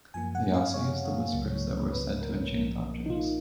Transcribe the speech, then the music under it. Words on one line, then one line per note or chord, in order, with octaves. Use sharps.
They also used the whispers that were said to enchant objects.
F#2 F3 A#3 G#5
F#5
F5
C#5
C#2 C#3 F#3 A#3
B4
A#4
B1 A#2 F3 A#3
D#4
F4